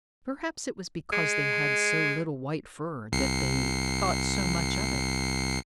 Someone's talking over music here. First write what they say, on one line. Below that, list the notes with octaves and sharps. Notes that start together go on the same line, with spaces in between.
Perhaps it was because they had so little white fur that they thought so much of it.
G#3
C2 C7 C#7